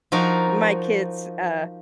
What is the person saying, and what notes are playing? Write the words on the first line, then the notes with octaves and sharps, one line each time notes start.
my kids, uh
F3 D#4 F#4 A#4